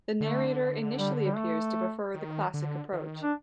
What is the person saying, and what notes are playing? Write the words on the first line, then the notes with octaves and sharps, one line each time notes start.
The Narrator initially appears to prefer the classic approach.
D3 A3
G3
G3
A3
D#3
D3
D#3
D4